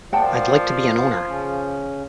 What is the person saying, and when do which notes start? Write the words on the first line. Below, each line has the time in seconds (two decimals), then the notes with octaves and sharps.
I'd like to be an owner.
0.13 A#2 F3 D5 F#5 G5 A5
1.29 C#3 C#4